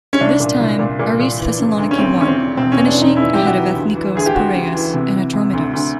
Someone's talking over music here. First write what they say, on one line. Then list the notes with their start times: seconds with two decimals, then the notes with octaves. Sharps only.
This time, Aris Thessaloniki won, finishing ahead of Ethnikos Piraeus and Atromitos.
0.13 C#4
0.20 C2 D4
0.40 A#2
0.60 C2
0.79 A#2
0.99 A#2
1.19 A#2
1.39 E3
1.58 C#3
1.78 D2
1.91 C#4
1.98 D2 C4
2.17 D2 C#4
2.28 C4
2.37 C#3
2.57 E1 C4
2.72 E2 C#4
2.86 D4
2.97 E1 D#4
3.16 E2 E4
3.35 E1 G4
3.46 F#4
3.55 E3
3.75 D2
3.95 E3
4.15 D2 G#4
4.26 G4
4.35 D2 F#4
4.54 C#3
4.74 E3
4.94 C3
5.14 E3
5.34 C3
5.53 D2
5.73 D2